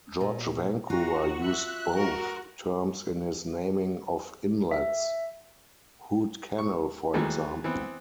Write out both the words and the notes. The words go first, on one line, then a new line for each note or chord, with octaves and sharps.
George Vancouver used both terms in his naming of inlets, Hood Canal for example.
A#2
F4 F#4 A#5
E5 F#6
F#4 A#4
E5
C#6
D#2 D#3 E3 F#3 G#3 A3
E3 B3 C4